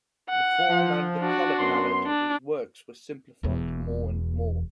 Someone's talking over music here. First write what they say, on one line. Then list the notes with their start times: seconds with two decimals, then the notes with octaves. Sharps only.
The form and the color palette of his works were simplified more and more.
0.29 F#5
0.69 F3
1.20 D4 F#4
1.59 F#2 B3 C6
2.07 D4
3.43 E1 E2